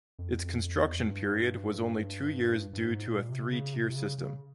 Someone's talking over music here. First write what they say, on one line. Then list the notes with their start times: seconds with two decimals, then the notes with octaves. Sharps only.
Its construction period was only two years due to a three-tier system.
0.19 F2
0.28 E2
0.37 F2
0.79 E2
0.94 F2
1.07 G2
2.73 G2
2.85 G#2
3.07 A#2
3.29 C3
3.51 C#3
3.74 C3
3.89 C3
3.96 C#3
4.18 C#3